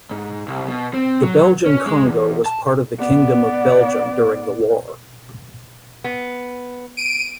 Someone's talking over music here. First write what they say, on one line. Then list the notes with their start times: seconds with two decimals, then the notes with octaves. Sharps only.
The Belgian Congo was part of the Kingdom of Belgium during the war.
0.11 G#2
0.48 C2
0.68 B2
0.94 C4
1.23 F#3
1.66 C#4
1.86 G#3
2.06 E2
2.46 A5
2.99 B3 D5
6.04 B3
6.97 D7 D#7